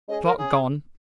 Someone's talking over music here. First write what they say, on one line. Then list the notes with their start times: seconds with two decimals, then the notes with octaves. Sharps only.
Clock gone.
0.09 G#3 C#4 G#4 D#5
0.23 A#4
0.38 C#3 G#4